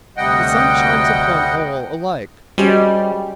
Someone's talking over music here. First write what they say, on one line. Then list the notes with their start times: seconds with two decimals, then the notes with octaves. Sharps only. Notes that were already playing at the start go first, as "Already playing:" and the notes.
The sun shines upon all alike!
0.17 D2 C3 G3 D#5 F#5 G5
2.58 G3 G#3 C#4 F#4 G4 C5